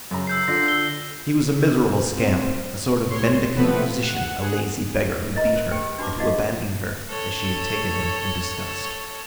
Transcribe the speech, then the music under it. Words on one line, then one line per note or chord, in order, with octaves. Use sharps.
He was a miserable scamp, a sort of mendicant musician, a lazy beggar, who beat her, and who abandoned her as she had taken him, in disgust.
F#2 C#3 A#5
E6 G6 C7
D3 F4 D5 A#6 C7
E6 G7
C4
C2 C#5 C6
F3 A3 B3 C4 B4
F#5
G#4 F#5
A#4 B4 D#5 E5 A#5
A#4 C5
G4 G5
D4 F#4 B4 A5 D6
D#4 F#4 D5 D#5 F5
A4 C#5